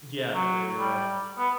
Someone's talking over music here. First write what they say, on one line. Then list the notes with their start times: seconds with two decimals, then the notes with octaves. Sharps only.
Yeah. Yeah, yeah, yeah.
0.34 F#3
0.79 G3
1.37 B3